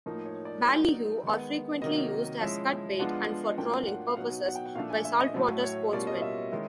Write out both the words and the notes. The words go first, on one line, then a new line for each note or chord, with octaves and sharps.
Ballyhoo are frequently used as cut bait and for trolling purposes by saltwater sportsmen.
A2 F3 A#3 D#4
C#5
D5
F#3 A#3 D#4
D#3 G#3 B3
C3 D#3 F#3 A#3 D#5
F3 G#3 C#4 E4 E5
F3 G#3 B3 D4 F4 F#5
A2 F#3 A#3 D4 F4 G5
F#5
F5
B2 F#3 B3 D#4 F#5
F#5
G5
F#5
A#2 F3 A3 D4 F5
G#5
E5
D#5
A2 F#3 A3
C#5
B2 G3 A#3 C#4 F4 D5
D#5
E5
D#3 G#3 C#4 E4